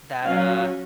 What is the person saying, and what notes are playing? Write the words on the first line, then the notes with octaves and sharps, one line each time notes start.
that, uh
F#3 C#4 F5